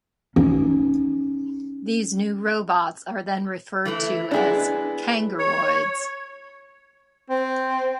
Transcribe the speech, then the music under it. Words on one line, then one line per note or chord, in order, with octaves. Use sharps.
These new robots are then referred to as 'kangoroids'.
C#4 D#4
E3 A3 E4
G#3 B3 D4 E4 G#4
C#5
C4